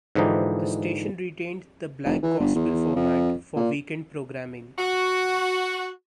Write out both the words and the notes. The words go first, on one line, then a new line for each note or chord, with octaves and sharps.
The station retained the Black gospel format for weekend programming.
G#2 D3 E3 F3 D#4 G4
F1
E3
G1
E2
F2
A#2
F#4